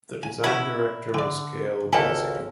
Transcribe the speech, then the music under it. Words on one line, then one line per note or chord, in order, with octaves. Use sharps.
The design director was Gail Ghezzi.
G#5
C#4 E4 F#4 A5 B5
D3 D5 G5
G#1 C#2 G#2 A#3 A4 G5 G#5 B5